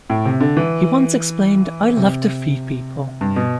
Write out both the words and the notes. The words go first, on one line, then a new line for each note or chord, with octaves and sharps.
He once explained, I love to feed people.
A2
C3
D3
E3
C3
G2
B2